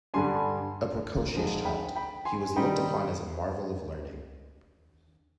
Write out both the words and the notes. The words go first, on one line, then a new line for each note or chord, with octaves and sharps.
A precocious child, he was looked upon as a marvel of learning.
G2 D3 G3 D4 G#5 C6
D3 F3 G#3 C4 D#4
G5 B5
G5 B5
G#5 C6
D#3 G3 C4 D#4 G5 B5